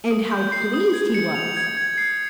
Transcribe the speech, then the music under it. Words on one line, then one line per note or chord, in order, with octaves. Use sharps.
And how pleased he was!
D#6
G6
C7
D#6
G#6
C#7
F7
G#6
G#6
C7